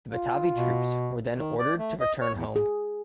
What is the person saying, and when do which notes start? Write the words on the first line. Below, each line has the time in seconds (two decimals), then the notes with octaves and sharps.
The Batavi troops were then ordered to return home.
0.11 F4
0.55 B2
1.38 D#3
1.59 D5
1.78 A3
2.00 D#5
2.21 C#5
2.35 E2
2.56 G#4